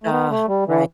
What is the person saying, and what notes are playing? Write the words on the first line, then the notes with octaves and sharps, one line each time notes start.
Ah, righ
A3
B3
A3
G3
E3